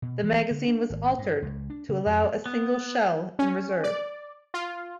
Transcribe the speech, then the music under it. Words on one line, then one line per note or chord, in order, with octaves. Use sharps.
The magazine was altered to allow a single shell in reserve.
B2
E3
D3
D4
G#1
G2
C#2
D4
C#3
F2
B3
C#4
D5
F4